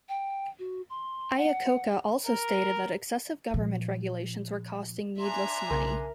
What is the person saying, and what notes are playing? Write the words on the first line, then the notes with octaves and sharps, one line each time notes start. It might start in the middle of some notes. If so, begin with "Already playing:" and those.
Iacocca also stated that excessive government regulations were costing needless money.
G5
F#4
C6
F#5
A#4
A#2 F3
D4 E5 G#5 A#5 C6
B1 C#3 A#4